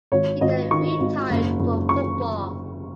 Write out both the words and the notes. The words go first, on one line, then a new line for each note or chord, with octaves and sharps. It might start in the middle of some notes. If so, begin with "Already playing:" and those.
He then retired from football.
G#1 C#5
G#1 D#5
D#3 C#6
G#1
F#1
F#1
C#6